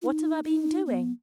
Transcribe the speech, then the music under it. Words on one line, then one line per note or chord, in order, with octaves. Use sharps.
What have I been doing?
F4
D#4
D#4
B3